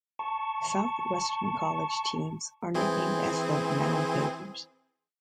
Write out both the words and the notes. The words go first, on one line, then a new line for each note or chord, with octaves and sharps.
Southwestern College teams are nicknamed as the Moundbuilders.
A5 C#6
E3 C4 G#4